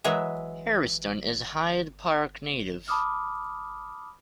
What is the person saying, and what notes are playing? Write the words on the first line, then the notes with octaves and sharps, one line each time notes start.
Hairston is a Hyde Park native.
E3 F#3 G#3 E5
A5 B5 D6 D#6 F6